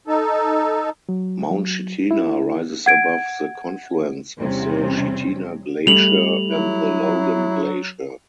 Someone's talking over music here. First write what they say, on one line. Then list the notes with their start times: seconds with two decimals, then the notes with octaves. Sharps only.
Mount Chitina rises above the confluence of the Chitina Glacier and the Logan Glacier.
0.07 D#4 A4
1.09 F#3
1.51 F#3
2.11 E4
2.86 F#5 G#6 D7
4.38 E2 C3 G3 C4 C#4
5.87 G3 A3 F7 F#7
6.49 F#3 E4